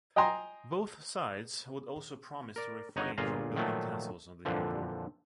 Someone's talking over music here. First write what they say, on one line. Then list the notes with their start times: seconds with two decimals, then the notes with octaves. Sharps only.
Both sides would also promise to refrain from building castles on the new border.
0.16 D#5 G5 G#5 A#5 C6
2.56 A#4 D5
2.96 G1 D#4 C#5 D#5 F#5
3.18 G1 A#2 F4 G#4 F5 A#5
3.56 A#2 D#3 F3 F#3 A3
4.45 F2 A#2 D3 E3 F3